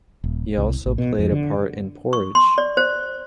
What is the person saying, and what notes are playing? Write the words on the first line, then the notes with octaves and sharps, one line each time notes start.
He also played a part in "Porridge".
D#1
C2
A1
B2
F2
D3
C#6
C6
D5
C5